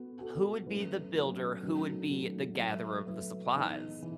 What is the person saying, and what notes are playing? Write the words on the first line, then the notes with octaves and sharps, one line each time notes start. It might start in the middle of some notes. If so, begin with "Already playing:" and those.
who would be the builder, who would be the gatherer of the supplies?
Already playing: B3 F#4 A4
B3 F#4 A4
F#3 A3 C#4 E4 B4
F#3 A3 C#4 E4 B4
D#3 F#3 A3 C#4 F#4
D#3 F#3 A3 C#4 F#4
F#3 A3 E4 B4 E5
F#3 A3 E4 B4 E5
E3 B3 D#4 G#4 D#5
E3